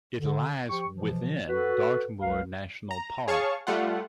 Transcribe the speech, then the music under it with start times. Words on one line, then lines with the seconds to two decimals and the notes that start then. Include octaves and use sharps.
It lies within Dartmoor National Park.
0.17 D3
0.69 F3 G4 G5 C#6
0.94 B2 E3 F3
1.49 F#4 A4 B4
2.21 C2 F#3 G#3 B4 F5
2.91 A#5
3.28 G#4 C#5 F5 A5 C#6
3.67 G3 A3 F4 F#5